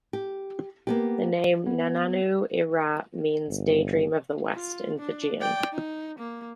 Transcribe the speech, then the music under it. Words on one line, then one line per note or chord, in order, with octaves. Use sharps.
The name "Nananu-I-Ra" means "Daydream of the West" in Fijian.
G4
A#3 B3 G4
B3
G1
F4
D4
D5 G5
D#4
A#3